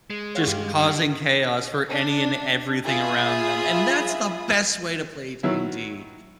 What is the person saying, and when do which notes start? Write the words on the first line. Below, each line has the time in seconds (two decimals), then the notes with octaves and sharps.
just causing chaos for any and everything around them, and that's the best way to play D&D
0.10 G#3
0.35 C#5 F5 F#5
0.47 G2 G4 F5
0.79 D3
1.91 D4
2.84 F4 G#4 E5 B5 D#6
5.43 D#3 F#3 E4